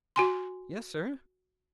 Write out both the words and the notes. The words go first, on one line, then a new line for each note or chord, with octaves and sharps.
"Yes, sir."
F#4 G#5 C6